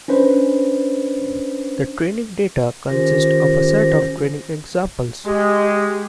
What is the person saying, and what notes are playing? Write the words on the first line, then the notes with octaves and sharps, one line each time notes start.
The training data consist of a set of "training examples".
C#4 D4 B4 C5
D#3 C#4 F4 G4 C5 A#6
G#3 G4